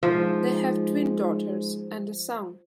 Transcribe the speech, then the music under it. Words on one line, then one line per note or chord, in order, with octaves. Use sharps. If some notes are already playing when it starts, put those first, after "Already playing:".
They have twin daughters, and a son.
G#2 F3